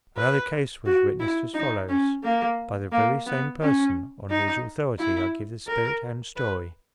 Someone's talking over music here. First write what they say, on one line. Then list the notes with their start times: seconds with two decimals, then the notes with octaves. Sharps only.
Another case was witnessed as follows, by the very same person on whose authority I give the spirit-hand story.
0.17 B4
0.86 F#4
1.20 E4
1.54 D#4
1.89 C#4
2.24 A#3
2.92 A#3
3.26 B3
3.61 C#4
4.30 D#4
4.99 E4
5.67 A#4
6.36 B4